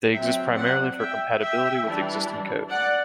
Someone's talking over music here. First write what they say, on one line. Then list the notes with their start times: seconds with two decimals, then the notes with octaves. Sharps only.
They exist primarily for compatibility with existing code.
0.13 F#3 C4 E5 G5
0.56 D5 F#5
0.99 E5 G5
1.42 E5 G5
1.84 E3 G3 D4
2.70 D5 F#5